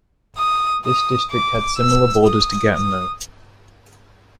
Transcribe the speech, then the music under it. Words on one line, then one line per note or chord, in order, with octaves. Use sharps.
This district had similar borders to Gatineau.
D#6
D#6
D6
E6
D#6
D#6